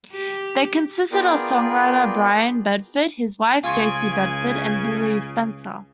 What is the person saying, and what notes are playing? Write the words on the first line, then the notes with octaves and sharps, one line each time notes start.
They consisted of songwriter Brian Bedford, his wife Jacey Bedford, and Hilary Spencer.
G4
B3 F4 G#4 A#4 D5 G5
C#2 C#3 F4 G#5 C6 C#6